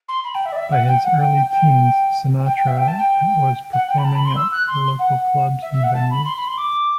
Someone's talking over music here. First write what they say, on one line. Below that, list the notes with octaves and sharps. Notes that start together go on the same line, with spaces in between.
By his early teens, Sinatra was performing at local clubs and venues.
C6
B5
G5
E5
D5
E5
F#5
G5
F#5
G5
G5
G5
G5
E5
G5
A5
G5
F#5
G5
B5
A5
B5
C6
E6
F#6
C6
F#5
E5
E5
F#5
A5
B5
C6
B5
C6
D6